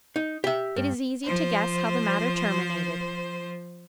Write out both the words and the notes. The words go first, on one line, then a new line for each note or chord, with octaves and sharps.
It is easy to guess how the matter terminated.
D#4
G4 E5
G2
F3 C5